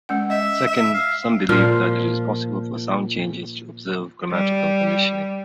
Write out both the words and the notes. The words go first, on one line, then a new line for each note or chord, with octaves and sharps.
Second, some believe that it is possible for sound changes to observe grammatical conditioning.
G#3 C#4 F#5
D#5 E5
E5
F5
A#2 F3 F4 F5
G3